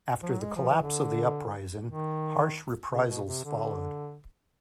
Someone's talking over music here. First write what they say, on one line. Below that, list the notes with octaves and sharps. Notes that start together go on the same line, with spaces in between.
After the collapse of the uprising, harsh reprisals followed.
F3
F#3
G#3
F3
E3
D3
D#3
C#3
B2
C3
D3